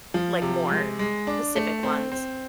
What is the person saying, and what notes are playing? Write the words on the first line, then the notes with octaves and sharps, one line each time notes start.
like, more Pacific ones,
F3
C3
G#3
G#3
D4
A3
C4
C4